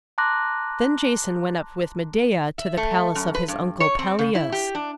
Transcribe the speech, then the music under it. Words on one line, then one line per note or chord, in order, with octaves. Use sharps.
Then Jason went up with Medeia to the palace of his uncle Pelias.
A5 A#5 C6 D6 F#6 A#6
E5
A3
F#2
B4
G2
C#5
C4
C#3
E4
G4
D4